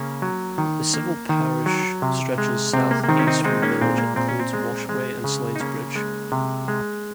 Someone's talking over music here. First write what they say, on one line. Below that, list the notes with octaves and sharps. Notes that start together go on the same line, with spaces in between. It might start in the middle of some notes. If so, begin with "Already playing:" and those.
The civil parish stretches southeast from the village and includes Washaway and Sladesbridge.
Already playing: C#3 A#3 C#4
F#3
D#3
A#3
D#3
F#3
C3
G#3
C3 C4
A#3
A#3
D#3 C4
C#4
C4 D#4
G#3 C4 D#4
A#3 C#4
A#2 C4
A#3
A#2 C4
C#4
C4
G#3
G#3
C#3
D#4
C#3 A#3 C#4
G#3
C3
G#3